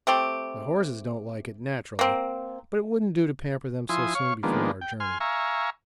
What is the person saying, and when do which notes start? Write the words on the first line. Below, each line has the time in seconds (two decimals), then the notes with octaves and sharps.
The horses don't like it, naturally, but it wouldn't do to pamper them so soon before our journey.
0.07 A3 C4 G4
1.99 A#3 C4
3.89 F3 E4 G#5 C6 D#6
4.15 C#5 F5 C#6
4.43 D#3 F3 G#3 A#3 B3 D4
4.81 G5
5.00 G#5 C6 F6
5.20 E5 F5 G#5 A#5 C#6